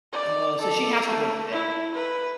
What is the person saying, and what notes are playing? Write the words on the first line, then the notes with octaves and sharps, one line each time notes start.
Oh, so she has to work at it.
D5
A4
A3
E4
B4